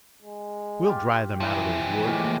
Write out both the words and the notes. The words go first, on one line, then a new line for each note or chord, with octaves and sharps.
"We'll drive them out of those woods."
G#3
F4 G4
E3 F3 E4
A2 G#3 A#3